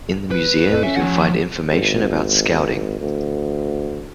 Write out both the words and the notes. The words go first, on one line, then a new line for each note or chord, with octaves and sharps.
In the museum you can find information about Scouting.
B4
F2
C#4 E5
F3 F#5
G#1
D2